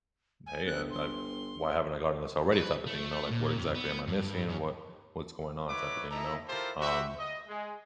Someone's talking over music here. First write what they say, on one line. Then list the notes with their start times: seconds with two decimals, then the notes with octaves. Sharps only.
hey, I I've why haven't I gotten this already type of thing, you know? Like, what exactly am I missing? What what's going on type of thing, you know? Um
0.46 G#5
0.66 G1 F#6
0.91 C6
2.53 B4
2.86 A3
3.31 A#2
3.58 F2
3.75 B3
4.08 G2
4.48 F#2
5.69 D#4 F#4 B4 C#5 E5 D6
6.11 D#4 E4 A4 D#5 E5 A#5
6.47 E4 F4 G4 A4 A#4 C5
6.80 F#4 G4 E5
7.18 D#5
7.48 G#3